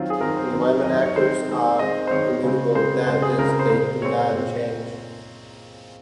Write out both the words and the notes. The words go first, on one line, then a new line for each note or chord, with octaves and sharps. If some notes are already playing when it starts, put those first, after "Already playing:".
Environment Actors are immutable, that is, they do not change.
Already playing: D#3 F#3 C4 F4
G#4
D#3 F#3 C4 A#4
C5
D#3 F#3 C4
D#3 F#3 C4 D#5
D#5
C#5
D#3 G#3 C4 C5
D#3 G#3 C4
D#3 G#3 C4 D#5
C5
D#3 G#3 C4 C#5
C#3 G#3 C4
C#3 G#3 C4 C5
C#3 G#3 C4 C5
G#4
C#3 G#3 C4 A#4
A#4
C5
A#2 G#3 C4 C5
A#2 G#3 C4 C#5
A#2 G#3 C4